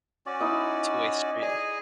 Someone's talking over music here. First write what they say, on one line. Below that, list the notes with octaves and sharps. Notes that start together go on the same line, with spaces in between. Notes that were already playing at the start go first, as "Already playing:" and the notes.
two way street.
C#4 F#4 D5
D#4 E4 D#5
G#4 D5 D#5 G#5